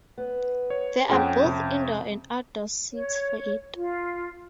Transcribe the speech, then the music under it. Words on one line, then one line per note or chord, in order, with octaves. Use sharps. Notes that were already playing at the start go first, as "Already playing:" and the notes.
There are both indoor and outdoor seats for it.
B3
C#5
F2 C#4 G#4 F#5 G5
C3
C#5
F4